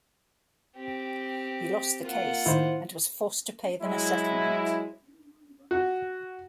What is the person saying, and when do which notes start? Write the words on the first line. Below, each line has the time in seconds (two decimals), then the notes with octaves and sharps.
He lost the case and was forced to pay them a settlement.
0.77 C4 G4
2.02 A#3 F4 F#5
2.46 A2 D#3 E4 C5
3.82 F#3 G#3 E4
5.71 F#4